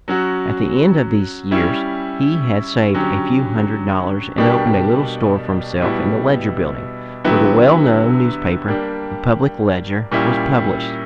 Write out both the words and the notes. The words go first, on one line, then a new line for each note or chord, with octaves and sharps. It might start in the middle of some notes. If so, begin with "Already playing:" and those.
At the end of these years he had saved a few hundred dollars, and opened a little store for himself in the Ledger Building, where the well-known newspaper, the "Public Ledger," was published.
F#3 C#4 F#4
G3 C#4 E4
D3 F#3 C#4 G4
B2 G3 A#3 D4 G4
B2 G3 B3 E4
D3 F#3 B3 E4 G4
G3 A#3 D4 G4
A#2 G3 C#4 E4